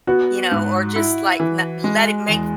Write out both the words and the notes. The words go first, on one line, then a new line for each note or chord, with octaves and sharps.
you know, or just, like, na letti maki
B3 F#4
G#2
E4
E3
G#3
E2